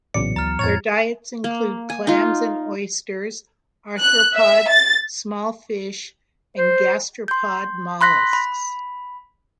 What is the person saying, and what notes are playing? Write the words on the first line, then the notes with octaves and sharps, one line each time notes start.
Their diets include clams and oysters, arthropods, small fish and gastropod molluscs.
A#1 A2 C#3 E3 F#3 B3 D5 C#7
D2 A#5 F6 A6
F2 A2 C#5 G#6 A6 F7
A#3
G#5
D#4 F4
F#6
E5
A6
C5
C6 G6
B5 C6 F#6 A#6 B6
B5